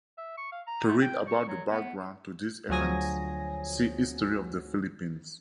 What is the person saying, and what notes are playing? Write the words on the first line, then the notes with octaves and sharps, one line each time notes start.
To read about the background to these events, see History of the Philippines.
E5
C#6
F5
A#5
A3
G5
C#6
F#3
B3
D2 F3 F#3 G#4 G#5 A#6